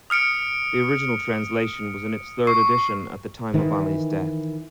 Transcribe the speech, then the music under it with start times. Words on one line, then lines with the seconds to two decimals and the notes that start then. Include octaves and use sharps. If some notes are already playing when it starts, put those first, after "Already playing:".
The original translation was in its third edition at the time of Ali's death.
0.10 D#6 F6 C#7 D7
2.47 C#6 C7
3.54 D#3 E3